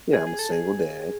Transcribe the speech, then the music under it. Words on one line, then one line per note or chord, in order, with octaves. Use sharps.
yeah, I'm a single dad.
G#4
G#4
A4
G#4